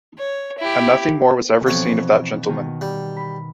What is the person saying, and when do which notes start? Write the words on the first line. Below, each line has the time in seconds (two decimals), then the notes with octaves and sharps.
And nothing more was ever seen of that gentleman.
0.19 C#5
0.59 E4 G4
1.67 F2 B2 E3 C5 C#5
2.48 B2 D#3
2.81 G3
3.17 B5